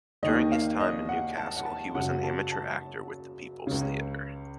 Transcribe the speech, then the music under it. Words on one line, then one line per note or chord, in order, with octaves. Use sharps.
During his time in Newcastle he was an amateur actor with the People's Theatre.
D#2 D#3 D#5
F5
D#5
F#5
A5
F#5
A5
F#2 C#3 F#5
A5
A5
C#2 C#3